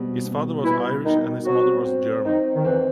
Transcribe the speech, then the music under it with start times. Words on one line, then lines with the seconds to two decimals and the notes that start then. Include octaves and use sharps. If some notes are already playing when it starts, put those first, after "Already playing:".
His father was Irish and his mother was German.
Already playing: B2 G3 C4
0.25 B2
0.64 B2 E3 E4
1.04 B2 D#3 D#4
1.45 F#3 C4 F#4
1.85 C4
2.24 D#3 C4 D#4
2.55 D#3
2.65 E2 E3 C4